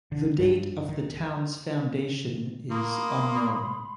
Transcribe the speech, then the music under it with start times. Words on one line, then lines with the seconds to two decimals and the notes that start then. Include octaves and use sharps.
The date of the town's foundation is unknown.
0.12 D3
0.39 G2
0.89 D#3
2.71 A#3 B5 C6 D#6